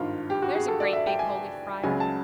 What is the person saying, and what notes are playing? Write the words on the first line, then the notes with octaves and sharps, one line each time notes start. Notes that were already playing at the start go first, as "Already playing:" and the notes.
There's a great big holy friar.
Already playing: G#1 G2 D#3 F4
G4
F#4
G#4
A4
D5
E5
G5
G#5
C#2 C#3 F#3 G#5
A5